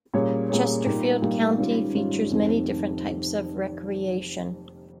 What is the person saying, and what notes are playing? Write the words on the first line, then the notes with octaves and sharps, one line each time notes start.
Chesterfield County features many different types of recreation.
A#2 G3 C#4 G#4 C#5
A#2 G3 C#4 G#4 C#5
A#2 G3 A#3 D#4 G4
A#2 G3 A#3 D#4 G4
G#2 D#3 G3 C#4 F4
G#2 D#3 G3 C#4 F4
F1 F2 D#3